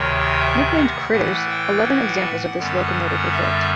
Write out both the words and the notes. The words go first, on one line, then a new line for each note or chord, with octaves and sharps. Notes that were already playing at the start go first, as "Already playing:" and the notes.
Nicknamed "critters", eleven examples of this locomotive were built.
Already playing: D2 C3 D#3 C#5
E5
F#5
A2 E3 A3 F#5
G5
F#5
F#2 D3 G3 B3
E5